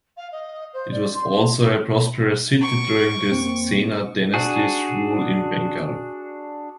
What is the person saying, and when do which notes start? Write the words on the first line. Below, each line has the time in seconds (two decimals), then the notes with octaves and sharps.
It was also a prosperous city during the Sena dynasty's rule in Bengal.
0.17 F5
0.32 D#5
0.73 C5
0.91 D5
1.14 C6
2.62 C#6 D7
3.32 F2 A#3 C4
4.34 D4 F#4 G#4